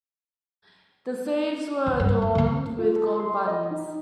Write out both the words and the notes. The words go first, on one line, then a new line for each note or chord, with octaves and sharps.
The sleeves were adorned with gold buttons.
D#3
G2
F#2
D3 A#3
F4
A4
C6
D#5
D#4